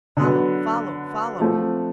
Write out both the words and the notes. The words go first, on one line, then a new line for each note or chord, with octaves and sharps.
Follow, follow, follow!
D3 F#3 B3
F3 A3 C4